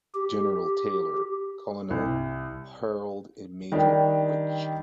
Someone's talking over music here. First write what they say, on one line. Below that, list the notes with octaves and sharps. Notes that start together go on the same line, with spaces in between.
General Taylor, Colonel Harrold and Major Wich.
G4
C2
D#3 G3 D4 G4